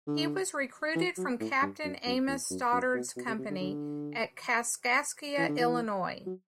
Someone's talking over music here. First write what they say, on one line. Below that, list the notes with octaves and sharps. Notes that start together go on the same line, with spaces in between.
He was recruited from Captain Amos Stoddard's Company at Kaskaskia, Illinois.
D3
E3
F#3
A2
G2
F#2
F#2
E2
F#2
F#2
B2
B2
C3
C3
D3
D3
E3
D3
E3
F#3